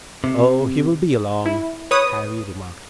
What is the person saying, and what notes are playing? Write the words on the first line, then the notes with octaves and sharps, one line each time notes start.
"Oh, he will be along," Harry remarked.
C3
E4
B4 C#5 D#6